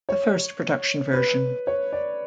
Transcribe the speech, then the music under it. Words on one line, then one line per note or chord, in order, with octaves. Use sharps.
The first production version.
C#5
B4
C#5
D5